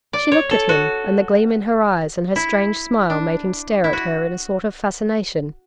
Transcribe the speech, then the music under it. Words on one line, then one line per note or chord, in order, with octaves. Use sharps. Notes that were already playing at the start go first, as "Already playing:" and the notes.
She looked at him and the gleam in her eyes and her strange smile made him stare at her in a sort of fascination.
D5
C#5
A4
F#4
E4
D4
E4
F#4